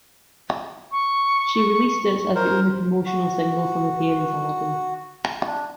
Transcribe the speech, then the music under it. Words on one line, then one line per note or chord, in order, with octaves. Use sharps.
She released it as the only promotional single from the parent album.
C#6
A#4 C5
F#4
D4